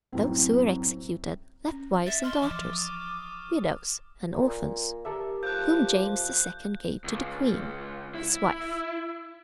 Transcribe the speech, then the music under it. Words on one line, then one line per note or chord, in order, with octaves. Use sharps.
Those who were executed left wives and daughters, widows and orphans, whom James II. gave to the queen, his wife.
F#2 A2 C4
C#4
E5 A6 E7
D#5 C6 F6
E3 F3 D6
C#6 D#6 A6
A#2
G4 A4 A#4 E5
F3 F#6 G6
C#2
E4